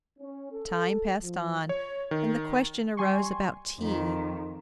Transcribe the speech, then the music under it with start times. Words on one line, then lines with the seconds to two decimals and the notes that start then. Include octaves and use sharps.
Time passed on, and the question arose about tea.
0.19 C#4
0.52 A4
1.22 F3
1.69 C#5
2.11 D#3
2.97 G3 G#5 C6 C#6
3.78 F2 D#3